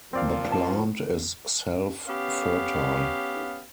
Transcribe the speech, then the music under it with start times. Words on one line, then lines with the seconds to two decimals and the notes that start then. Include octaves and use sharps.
The plant is self-fertile.
0.13 A#2 F3 C4 D5 F5
0.52 A5
2.08 B3 C#4 G4 F5